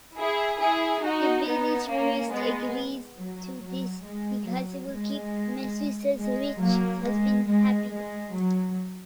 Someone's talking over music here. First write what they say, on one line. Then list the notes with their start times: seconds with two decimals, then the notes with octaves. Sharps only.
The village priest agrees to this because it will keep Messua's rich husband happy.
0.17 E4 G#4
0.60 E4 G#4
1.03 D#4 F#4
1.46 B3 D#4
1.89 A#3 C#4
2.32 G#3 B3
3.18 F#3
3.62 F#3
4.04 G#3
4.47 F#3
4.90 G#3
6.18 G#3
6.61 F#3 A#3
7.05 G#3
7.47 G#3
7.91 G#3
8.34 F#3